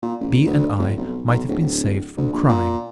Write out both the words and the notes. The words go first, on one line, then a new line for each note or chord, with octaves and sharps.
B. and I might have been saved from crime.
A#2
A1
D2
F1
B1
B1
D1
D1
D2
A#1
A#2